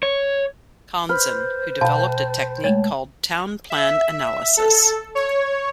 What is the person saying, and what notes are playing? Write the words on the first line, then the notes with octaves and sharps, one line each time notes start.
Conzen, who developed a technique called 'town-plan analysis.
C#5
B4 C5 F6
B2 F5 G5 A5 B5
G#3 A3 C#5
E5
A4
C#5